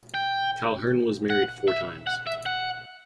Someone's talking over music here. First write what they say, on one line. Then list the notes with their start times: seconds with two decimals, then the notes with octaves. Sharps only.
Calhern was married four times.
0.14 G5
1.30 F#5
1.68 E5
2.07 F#5
2.27 E5
2.46 F#5